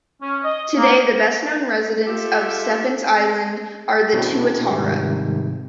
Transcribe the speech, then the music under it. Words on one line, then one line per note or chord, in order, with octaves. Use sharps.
Today, the best known residents of Stephens Island are the tuatara.
C#4
D#5
A#3
F4 G4 A4 E5
B2 C4 D4 E4 F#4
G#2 C3 D#3 G3 G#3